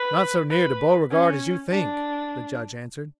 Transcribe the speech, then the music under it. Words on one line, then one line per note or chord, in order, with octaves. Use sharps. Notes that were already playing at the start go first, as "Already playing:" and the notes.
"It's not so near to Beauregard as you think," the Judge answered.
Already playing: B4
B4
C#4
D4